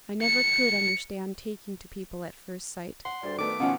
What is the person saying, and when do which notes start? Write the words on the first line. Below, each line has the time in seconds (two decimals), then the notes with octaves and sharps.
"I never could understand taking to people at first sight!"
0.22 C#7
3.05 F#5 C6
3.23 D2 G2 D5
3.38 D#3 A3 B3 D6
3.60 B2 D#3 F3 C#4 F4 F#4 F#5